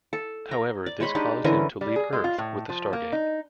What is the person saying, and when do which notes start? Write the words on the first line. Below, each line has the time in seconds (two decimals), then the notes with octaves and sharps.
However, this caused him to leave Earth with the Stargate.
0.13 A4
0.51 A#5
0.86 D5
1.00 G#3 C#5 B5 C6
1.15 G#3 D4 D#4 G4
1.44 D3 E3 C#4 A#4
1.81 G3
1.96 G#4
2.13 G#3
2.24 F4
2.38 A2
2.69 F3
2.93 A#3
3.12 D#4